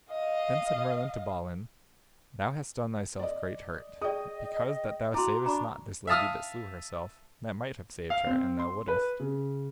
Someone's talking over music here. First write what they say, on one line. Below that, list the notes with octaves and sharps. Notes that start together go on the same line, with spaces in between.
Then said Merlin to Balin, Thou hast done thyself great hurt, because that thou savest not this lady that slew herself, that might have saved her an thou wouldest.
D#5 F5
D5 D#5
G#4 D5 D#5 G5 D#6
E4 F#4 A5 A#5 C6 D6
D4 A#5 B5 C#6
E5 F5 A5 D#6 F6
F5
C4
C6
B4
C#3